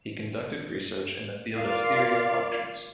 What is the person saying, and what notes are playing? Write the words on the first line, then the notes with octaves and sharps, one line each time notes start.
He conducted research in the field of theory of functions.
F4 A#4 D5 F5